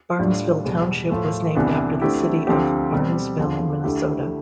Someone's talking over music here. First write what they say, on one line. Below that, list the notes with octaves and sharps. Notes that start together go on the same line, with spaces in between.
Barnesville Township was named after the city of Barnesville, Minnesota.
A2 G3 D4 F4
E2 B2 G3
A2 F3 A3
C2 C3 E3 B3 D4
D3 A3 C4 E4 G4
D2 D3 F3 C4 G4
B2 G3 C4 G4
E2 D3 F3
D2 D3 A3 E4 G4